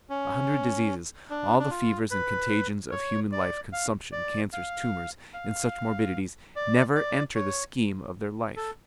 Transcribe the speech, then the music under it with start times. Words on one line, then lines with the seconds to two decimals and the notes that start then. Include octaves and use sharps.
A hundred diseases, all the fevers and contagions of human life, consumption, cancers, tumours and such morbidities, never enter the scheme of their life.
0.10 C#4
1.30 D4
1.59 D4
1.70 F4
2.11 B4
2.92 C#5
3.32 D5
3.73 F5
4.12 D5
4.53 F5
5.34 F5
6.56 D5
6.95 D5
7.35 C#5
8.57 A4